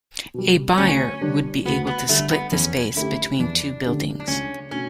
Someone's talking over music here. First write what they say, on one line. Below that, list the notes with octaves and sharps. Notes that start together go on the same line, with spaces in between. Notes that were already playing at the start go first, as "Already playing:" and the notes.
A buyer would be able to split the space between two buildings.
B2 G3
B3
D2 C#4
D3 G3 D4
D2 B3
B3
D3 G3 A3 D4
B3
E2 C#4
D3 A3 C#4 E4 G4
E2 D4
D3 A3 C#4 G4
D4
C#2 C#4
B2 A3 C#4 D4